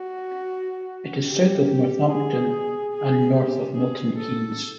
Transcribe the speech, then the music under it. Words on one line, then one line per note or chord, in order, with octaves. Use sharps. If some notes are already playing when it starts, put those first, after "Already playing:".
It is south of Northampton and north of Milton Keynes.
Already playing: F#4
G4
G4
G#4
G#4
G4
G#4
A4